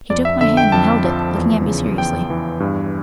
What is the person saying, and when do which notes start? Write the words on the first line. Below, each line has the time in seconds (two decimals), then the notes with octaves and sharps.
He took my hand and held it, looking at me seriously.
0.10 F2 D5
0.25 E5
0.41 D3 E5
0.57 G5
0.72 F2 A5
1.04 F3
1.36 E2
1.66 C#3
1.98 E2 G5
2.30 E3
2.60 G2